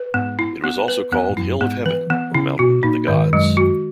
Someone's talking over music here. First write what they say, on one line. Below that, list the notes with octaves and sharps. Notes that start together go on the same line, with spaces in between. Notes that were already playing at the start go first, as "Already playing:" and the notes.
It was also called Hill of Heaven or Mountain of the gods.
Already playing: B4
G#2 B3
E4
B3
B4
E2 B3
G#2
F#2 E4
G#2 B3
E3 B4
E3 B3
C#3 E4
B2 F#4
A#2 D#4
G#2 D#3
F#2 G#3
F#4